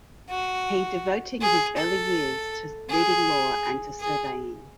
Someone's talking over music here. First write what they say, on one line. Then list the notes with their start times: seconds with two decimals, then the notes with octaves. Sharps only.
He devoting his early years to reading law and to surveying.
0.29 F#4
1.41 G#4
1.77 A4
2.89 G#4
4.00 G#4